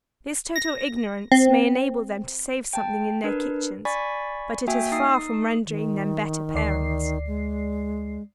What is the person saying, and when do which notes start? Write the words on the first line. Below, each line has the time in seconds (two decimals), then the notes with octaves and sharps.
This total ignorance may enable them to save something in their kitchens, but it is far from rendering them better parents.
0.56 A#6
1.32 C4
2.73 G5 A5
3.24 D4 A#4 B4
3.85 D5 G#5 B5 C#6 A6 B6
4.67 A#3 F#4 E5 G5 G#5
4.92 D#4 D#6 C7
5.65 D#3
6.55 D2 D5 C7
7.27 G#3